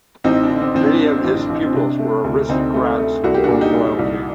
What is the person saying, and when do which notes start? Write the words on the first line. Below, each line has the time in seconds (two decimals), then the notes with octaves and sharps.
Many of his pupils were aristocrats or royalty.
0.24 A1 C4 D#4
0.43 D4
0.49 D3
0.62 C4
0.75 A1 C4
0.81 D4
1.00 D3 D4
1.18 C4
1.24 A1
1.37 D4
1.49 A1
1.56 D4
1.66 C4
1.74 C3 D4
1.99 A3
2.24 D2
2.49 D2 C4 D#4
2.74 A3
2.99 A3
3.24 C2 F#4
3.34 G4
3.44 A#2 D4 F#4
3.61 D#4 G4
3.74 C2
3.99 C2